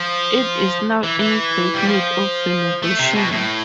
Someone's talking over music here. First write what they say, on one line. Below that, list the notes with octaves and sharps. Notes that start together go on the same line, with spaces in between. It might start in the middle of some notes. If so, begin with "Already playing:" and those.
It is now in great need of renovation.
Already playing: F3
E3
E3
G3
F3
A3
C3
B2
A2